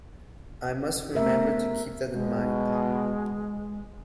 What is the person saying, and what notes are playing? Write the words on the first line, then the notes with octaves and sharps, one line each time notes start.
"I must remember to keep that in mind".
A3 B3 A#4 E5
B2 G#3